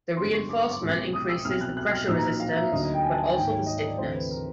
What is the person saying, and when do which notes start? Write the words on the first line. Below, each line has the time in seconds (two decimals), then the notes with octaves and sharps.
The reinforcement increases the pressure resistance but also the stiffness.
0.17 G1 F#2 D3 G3 C6
0.33 C#6
0.49 D6
0.60 C#6
0.71 D6
0.80 C2 B2 G#3 C#4 E4
1.13 D#6
1.29 E6
1.45 C2 B2 F#3 F6
1.61 F#6
1.77 F#6
1.92 F6
2.08 A#1 A#2 F#3 A#3 D#4 E6
2.18 A#5
2.40 F5
2.56 E5
2.71 D2 D3 F#3 A#3 D#4 D#5
2.82 D#5
2.93 G5
3.03 G#5
3.13 A5
3.24 G#5
3.34 G#2 D#3 F#3 A#3 G5
3.51 C#5
3.66 D#5
3.78 D#5
3.88 D5
3.98 D2 C3 E3 A3 C5
4.15 B4
4.31 A#4